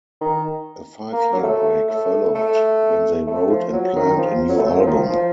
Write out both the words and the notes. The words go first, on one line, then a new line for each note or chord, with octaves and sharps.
A five-year break followed, when they wrote and planned a new album.
D#3
A#3
F#3
A3
A3
A3
A3
F3
F#3
D#3
F3
F#3
A3
F#3
F3
D#3
F3
F3